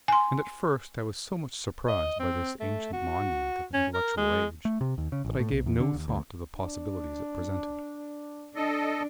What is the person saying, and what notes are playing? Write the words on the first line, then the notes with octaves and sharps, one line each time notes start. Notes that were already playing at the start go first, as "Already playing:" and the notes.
'And at first I was so much surprised by this ancient monument of an intellectual age, that I gave no thought to the possibilities it presented.
G#5 C6
D#5
C4
A3
F#4
C#4
A#4
G#3
A3
C3
D#2
C#3
A1
A2
B1
E2
D3
D#2
D2
D4
D4 A4 D#5